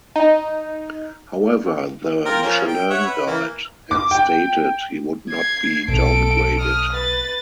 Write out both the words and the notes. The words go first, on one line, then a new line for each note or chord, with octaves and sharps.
However, the Michelin guide had stated he would not be downgraded.
D#4
F4 A#4 G5
F3 A#3 C#4
G5
C#5 E5 F#5
B4
E3 A#3
D6
G5
G#6 C7
B1 B2 A4 D7
D#6 F6
B4 A6